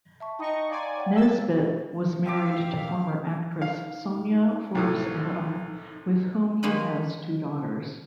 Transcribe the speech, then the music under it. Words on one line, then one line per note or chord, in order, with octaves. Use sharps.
Nesbitt was married to former actress Sonia Forbes-Adam, with whom he has two daughters.
E5 A5 C#6
D#4 D#5 G5 B5 C#6 D#6
D5 F5 G#5 A#5 C6
C#5 F#5 G5
F5 E6 A6
C4 E5 F5 D6
D#4 F5
C2 A2
D#3 G#3 A#3 D#4 B4